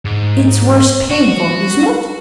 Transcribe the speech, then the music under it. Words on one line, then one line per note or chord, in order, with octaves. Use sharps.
It's worth paying for, isn't it?
G#2
F#4